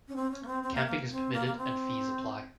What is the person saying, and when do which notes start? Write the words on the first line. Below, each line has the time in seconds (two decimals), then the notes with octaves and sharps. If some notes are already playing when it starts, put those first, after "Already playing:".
Camping is permitted and fees apply.
0.08 C#4
0.16 C4
0.31 C#4
0.43 A#3
0.47 C4
0.63 C4
0.75 A#3
0.87 A#3
1.10 C4
1.33 A#3
1.46 A#3
1.57 C4